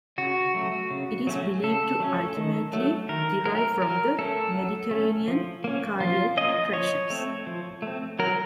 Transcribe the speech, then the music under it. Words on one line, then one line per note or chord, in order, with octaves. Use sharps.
It is believed to ultimately derive from the Mediterranean Cardial-Traditions.
C#3 F#4
F#3 A3
C#3
F#3 A3 C#4
C#3 A4
F#3 A3 C#4
D#3
F#3 A3
D#3 A#4
F#3 A3 A#4
F#3 A#4
A3 C#4 A4
F#3
A3 C#4
F3
A#3 C#4
F3 F4
A#3 C#4 D#5
F3 C#5
A3 C4
F3
A3 C4
F#3 A#4